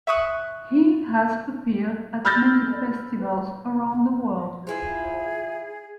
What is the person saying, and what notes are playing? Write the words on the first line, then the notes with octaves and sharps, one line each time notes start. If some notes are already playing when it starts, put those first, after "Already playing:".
He has appeared at many festivals around the world.
E5 C#6 D#6 F#6
B5 E6 F6 G6 A6 A#6
F3 E4 F4 G#4